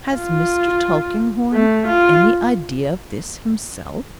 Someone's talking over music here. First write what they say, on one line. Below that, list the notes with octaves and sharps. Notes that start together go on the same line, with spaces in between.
Has Mr. Tulkinghorn any idea of this himself?
F4
A3
F4